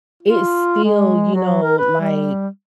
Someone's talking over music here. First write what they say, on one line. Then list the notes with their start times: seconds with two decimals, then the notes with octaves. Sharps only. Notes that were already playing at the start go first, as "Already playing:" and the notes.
it still, you know, like,
0.23 F4
0.84 G#3
1.35 F#3
1.62 A#4
1.78 B4
2.00 G3